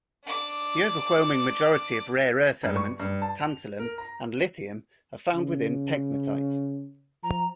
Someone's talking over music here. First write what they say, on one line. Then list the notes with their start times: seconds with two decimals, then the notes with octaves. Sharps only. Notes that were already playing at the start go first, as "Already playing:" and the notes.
The overwhelming majority of rare earth elements, tantalum, and lithium are found within pegmatite.
0.24 D4 D6
2.63 G2
2.77 C#6
3.00 G2
3.22 A5
3.40 F7
3.79 A#4
3.98 A#5
5.33 C#3
7.23 F3 A#5